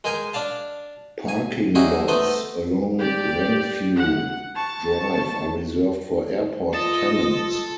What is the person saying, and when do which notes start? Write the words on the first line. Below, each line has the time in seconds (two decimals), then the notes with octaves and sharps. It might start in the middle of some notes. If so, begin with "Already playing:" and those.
Parking lots along Renfrew Drive are reserved for airport tenants.
0.04 G#3 G#4 A#4 G5 G#5
0.33 D4 D5 F5 A5
1.28 G#5
1.75 G3 C#4 D#4 E4 F#4 G#4
2.08 A3 B3 D#4 C5 D#5
2.99 G4 D5
3.96 F#5
4.55 A5 C#6
6.74 F4 A4 D#5 A6 E7